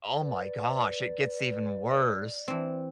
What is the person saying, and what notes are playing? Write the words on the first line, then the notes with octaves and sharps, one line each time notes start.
oh, my gosh, it gets even worse.
B4 D5
E3 C4